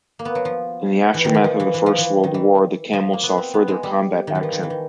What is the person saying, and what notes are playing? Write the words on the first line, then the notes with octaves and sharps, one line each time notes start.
In the aftermath of the First World War, the Camel saw further combat action.
A#3
B3
F#3
F3
E3
D#3
E3
F3
E3
E3
F3
E3
D#3
E3
F3
A#3
B3
C4
B3
G#3
G3
D#3
E3
F3
D#3
E3
D#3